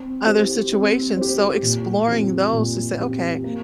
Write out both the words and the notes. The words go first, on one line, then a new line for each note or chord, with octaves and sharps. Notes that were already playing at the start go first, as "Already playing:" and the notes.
other situations; so, exploring those to say, "Okay,
Already playing: C4
G4 C5
C4
G4 C5
A#2
F3 C4 G4
A#2
F3 C4 G4
A#3